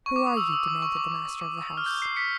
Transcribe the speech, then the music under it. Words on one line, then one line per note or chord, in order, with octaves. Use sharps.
"Who are you?" demanded the master of the house.
C#6
D6
D#6
E6
E6
D6
C#6
D6
D6
D6
D#6
E6
F6
G6
C7
B6 C#7